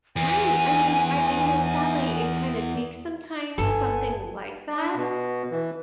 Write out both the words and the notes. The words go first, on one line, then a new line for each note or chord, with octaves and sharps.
Right! I mean, I you know, sadly it kinda takes, sometimes, something like that,
E2 G#5
G1 B3 A4 G#5
D4
B2
E3